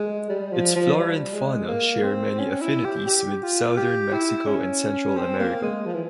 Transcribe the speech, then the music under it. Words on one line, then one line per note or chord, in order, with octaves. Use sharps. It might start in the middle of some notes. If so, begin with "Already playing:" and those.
Its flora and fauna share many affinities with southern Mexico and Central America.
Already playing: G#3
G3
F3
F3
G3
G#3
A#3
C4
C#4
E4
G4
G4
F4
G4
E4
C#4
C4
A#3
G#3
F3
E3